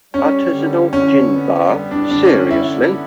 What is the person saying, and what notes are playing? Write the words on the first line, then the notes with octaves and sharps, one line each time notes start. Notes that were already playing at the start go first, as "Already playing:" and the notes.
Artisanal gin bar, seriously?!
G3 C#4
D3
D3 C#4
B3
G3
D4
D3 D4
C#4
D3 E4
B3